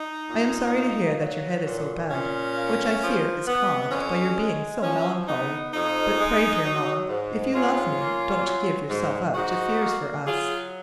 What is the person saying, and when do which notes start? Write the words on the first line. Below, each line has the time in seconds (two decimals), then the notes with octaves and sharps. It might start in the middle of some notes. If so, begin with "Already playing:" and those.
I am sorry to hear that your head is so bad, which I fear is caused by your being so melancholy; but pray, dear Mamma, if you love me, don't give yourself up to fears for us.
Already playing: D#4
0.28 A#2
0.74 A#3
1.19 F#3
1.65 A#2
2.10 A#2 C#4
2.56 A#3
3.01 F3
3.47 B3
3.91 F2 C#4
4.37 G#3
4.82 F3 C#4
5.27 B3 D#4
5.73 F2 D#4
6.19 G#3
6.64 F#3
7.09 G#2
7.54 G#2 C#4 F4
7.99 A#3
8.45 F#3
8.90 G#2
9.35 G#2 D#4 F#4
9.81 A#3
10.26 F#3 F4 G#4